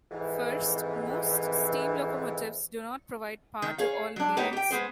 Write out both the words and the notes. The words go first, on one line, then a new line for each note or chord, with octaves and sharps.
First, most steam locomotives do not provide power to all wheels.
F2 G#2 C3 E3
D#3
G#4 C#5 F5
F#3 D4
A#3 B3 D#4 G4 C#5
G4 G5
G#3 B3 G#4 C5